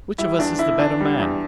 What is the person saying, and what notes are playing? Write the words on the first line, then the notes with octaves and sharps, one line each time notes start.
Which of us is the better man?
G3 E4
E2 D4
D3 E4
E2 D4
G3
E2